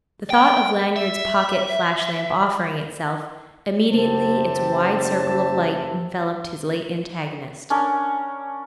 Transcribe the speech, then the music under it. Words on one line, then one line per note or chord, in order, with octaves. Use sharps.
The thought of Lanyard's pocket flash-lamp offering itself, immediately its wide circle of light enveloped his late antagonist.
G5
E5
F#1 C#3 G4 C5 E5 A5
C#4 D4 A#4